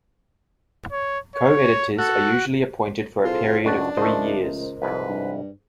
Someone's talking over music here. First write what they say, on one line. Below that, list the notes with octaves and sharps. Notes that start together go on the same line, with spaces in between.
Co-editors are usually appointed for a period of three years.
C#5
C#5
F#4 A4
C2 F4 G#4 A4 C5
C#2 F#2 D4 F#4 A5
C#2 F3 A3 A#4 C5 D#5
C2 F2 G#2 B4
G2